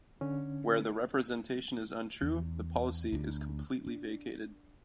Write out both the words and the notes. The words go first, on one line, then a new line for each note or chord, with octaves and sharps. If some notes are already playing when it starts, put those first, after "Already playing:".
Where the representation is untrue, the policy is completely vacated.
D3 C#4
E2
D2 D4
D4